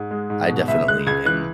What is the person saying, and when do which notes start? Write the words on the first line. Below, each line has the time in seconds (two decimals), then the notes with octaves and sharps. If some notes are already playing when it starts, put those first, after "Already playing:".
I definitely am,
Already playing: G#2
0.11 G#3
0.30 G#2
0.49 B2
0.68 C#2 E5
0.88 G#3 F#6
1.06 C#2 G#6
1.25 E3 F#6